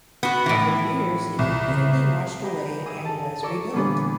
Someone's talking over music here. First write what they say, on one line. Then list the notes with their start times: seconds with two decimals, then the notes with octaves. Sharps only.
Over the years, it repeatedly washed away and was rebuilt.
0.23 B3 F#4
0.46 A2 E3
1.39 C2
1.69 C#3
2.43 G4 G#4 A#4 B4 D#5 G5
2.85 G#4 A#4 D#6 E6
3.05 A4 A5
3.43 A4 A#4 C#5 D5 E5 E6
3.73 A#2 D3 E3 G3 B3 D4